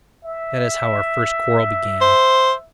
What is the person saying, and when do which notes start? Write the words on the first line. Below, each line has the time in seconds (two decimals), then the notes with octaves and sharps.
That is how our first quarrel began.
0.25 E5
2.01 C5